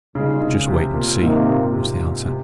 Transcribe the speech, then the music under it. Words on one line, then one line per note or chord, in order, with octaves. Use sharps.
"Just wait and see," was the answer.
C2 A#2 C#3 G#3 D#4
C#3
C3
A#2
G#2 C3 D#3 A#3
A#2
C3
C3